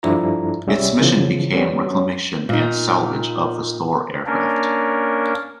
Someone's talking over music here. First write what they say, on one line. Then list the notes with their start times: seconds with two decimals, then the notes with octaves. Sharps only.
Its mission became the reclamation and salvage of the stored aircraft.
0.03 G2 F3 D4 E4 A4 A#5
0.67 C2 G3 C#4 E5
1.00 C#3 E3 F3
1.52 G3 B3 C#4
1.87 F#3 C#4
2.49 A#2 D#4
4.26 A#3 C#4 D4 A#4